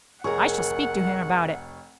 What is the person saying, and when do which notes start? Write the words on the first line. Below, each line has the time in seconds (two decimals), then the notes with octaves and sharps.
I shall speak to him about it.
0.24 F1 G#4 A#4 C#5 F#5 C#6